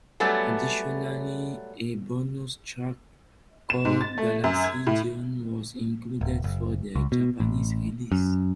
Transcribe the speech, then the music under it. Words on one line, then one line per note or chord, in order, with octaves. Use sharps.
Additionally, a bonus track called "Galaxidion" was included for the Japanese release.
F#3 G3 A3 B3 C#4
E7
G#2
A6
A3
F#2
G#6
A2
D1
F#1
C#2
B2
A1
F#2